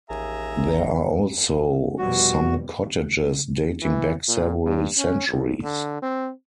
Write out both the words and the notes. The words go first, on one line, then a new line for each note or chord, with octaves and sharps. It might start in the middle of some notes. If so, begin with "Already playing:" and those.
There are also some cottages dating back several centuries.
A1 D#2 G#4 E5 A#5
F1 B2 G3 F#4
E3
A#2
G2
C#4
C#2
D3
C4